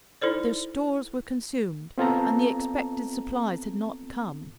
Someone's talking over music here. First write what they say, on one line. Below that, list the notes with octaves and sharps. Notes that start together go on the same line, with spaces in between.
Their stores were consumed, and the expected supplies had not come.
D#4 E4 A4 C5 D5
B3 C4 F4 A4 A5 A#5